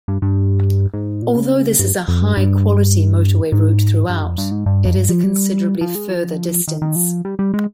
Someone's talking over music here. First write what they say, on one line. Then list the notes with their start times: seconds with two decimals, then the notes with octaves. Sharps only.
Although this is a high-quality motorway route throughout, it is a considerably further distance.
0.08 G2
0.22 G2
0.94 G#2
1.22 A#2
1.37 C#3
1.79 G2
2.08 F2
2.22 G2
2.37 G2
3.52 G#2
4.09 G2
4.23 F2
4.38 G2
4.51 G#2
4.66 G2
4.85 F2
4.95 G2
5.09 F3
5.24 G3
5.81 F3
5.95 G#3
6.10 F3
6.68 D#3
6.82 D#3
6.96 F3
7.25 G3
7.39 G3
7.54 G#3